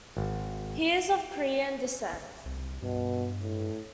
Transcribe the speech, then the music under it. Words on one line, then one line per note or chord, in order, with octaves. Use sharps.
He is of Korean descent.
G#1
C2
G2 B2
A2